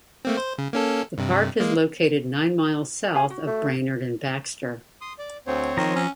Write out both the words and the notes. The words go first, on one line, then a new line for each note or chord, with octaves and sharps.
The park is located nine miles south of Brainerd and Baxter.
A3 A#3 C4
C5
C#3
A#3 C#4 A4
G2 C3
G#3 A#3
G4 F5 G#5
F#4
A3
C6 D#6
D5
D2 C4 C5 C#5
D#3 F3 A#5
C#4